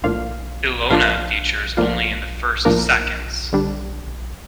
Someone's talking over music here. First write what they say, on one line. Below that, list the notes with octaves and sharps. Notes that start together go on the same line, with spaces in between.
Ilona features only in the first seconds.
A2 F3 A#3 D4 F4 F5
A2 F3 A#3 D4 F4 F5
A2 F3 A#3 D4 F4 F5
A2 F3 A#3 D4 F4 A#4
D3 G3 D4